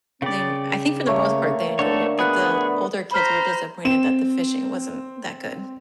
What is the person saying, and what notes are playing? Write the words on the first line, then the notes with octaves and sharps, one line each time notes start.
then I think for the most part, they enjoyed it, but the older kids were disappointed that the fishing wasn't that good.
C#3 D5 G5
A3 A#3 C#5
D3 A3 A4 C#5
B3 G#4 F#5
C5 A#5 B5 F6 B6
C4 E7